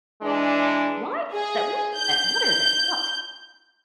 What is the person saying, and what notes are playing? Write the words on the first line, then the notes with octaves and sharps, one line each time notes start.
Why is that? What is that? What is it? What?
E3 G#3 D4
G#4
G6